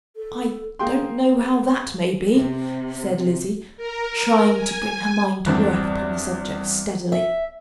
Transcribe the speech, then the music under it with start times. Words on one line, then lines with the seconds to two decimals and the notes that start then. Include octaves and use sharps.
"I don't know how that may be," said Lizzie, trying to bring her mind to work upon the subject steadily.
0.16 A4
0.79 A#3 G#4 G5 C6
2.35 C3
3.77 A#4
4.55 G#5
5.46 E2 G2 C4 D4
7.12 E5